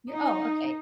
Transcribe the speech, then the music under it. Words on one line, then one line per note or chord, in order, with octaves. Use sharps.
you're oh, okay,
D#4